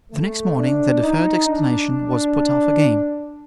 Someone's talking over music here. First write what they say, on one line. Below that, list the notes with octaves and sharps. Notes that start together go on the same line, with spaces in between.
The next morning the deferred explanation was put off again.
A3
D4
D#4
D4